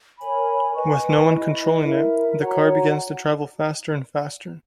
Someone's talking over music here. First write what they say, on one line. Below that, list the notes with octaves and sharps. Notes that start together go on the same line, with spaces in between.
With no one controlling it, the car begins to travel faster and faster.
A#4 C#5 G#5 B5
B4 D#5 G#5 C#6
E4 B4 D#5
E4 A#4 E5
F#4 C#5 F#5 A#5